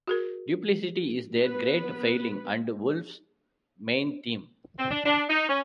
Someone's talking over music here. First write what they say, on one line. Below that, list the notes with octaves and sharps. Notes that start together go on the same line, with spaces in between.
Duplicity is their great failing, and Wolff's main theme.
F#4 G#4 A#4
B3 B4
C4
D4
D4
D#4
C#4